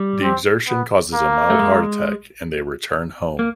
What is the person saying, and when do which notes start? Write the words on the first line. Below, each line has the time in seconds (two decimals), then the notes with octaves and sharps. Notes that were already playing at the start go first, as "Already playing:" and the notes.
The exertion causes a mild heart attack and they return home.
Already playing: G3
0.23 C4
0.68 B3
1.13 A#3
1.50 A3
1.59 G#3
3.39 A#3